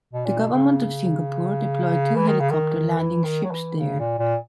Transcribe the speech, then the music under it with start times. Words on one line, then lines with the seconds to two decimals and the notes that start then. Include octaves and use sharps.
The government of Singapore deployed two helicopter landing ships there.
0.13 B2
0.26 A#2
0.39 B2
0.53 C#3
2.15 E3
2.28 D#3
2.40 C#3
2.51 D#3
2.97 E3
3.24 D#3
3.44 F#3
3.52 E3
3.79 C#3
3.99 A#2
4.19 A#2